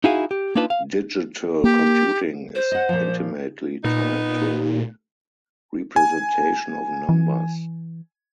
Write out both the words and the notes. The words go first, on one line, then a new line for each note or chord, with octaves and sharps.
Digital computing is intimately tied to the representation of numbers.
D#4 E4 F#4 G#4 F5 G#5
G4
A#3 D4 D#4 F4 B4 A5
F5
A#3 G4
C5
D#5 F#5
A#2 F3
A#2 B3 D#4
G#5
E3